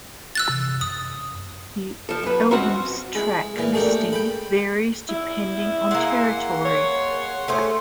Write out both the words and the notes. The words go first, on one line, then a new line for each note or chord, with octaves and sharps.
The album's track listing varies depending on territory.
E6 F#6 A6
C3 E3
F#2 D#6
F3 A4
F#2 B4
C4 C#4 F#4 F#5
G#3 E4
A#2 E3
G#3 A3 D4 G4 A#4
G5 B5
E4
A#3 G#4 F#5 C6
C#5
A3 C#4 G#4 C5